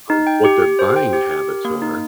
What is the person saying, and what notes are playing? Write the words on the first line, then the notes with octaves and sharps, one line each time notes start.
um, what their buying habits are,
D#4
G5
G4
G4
C5
G5
G4
G4
A#4
A#3
D#4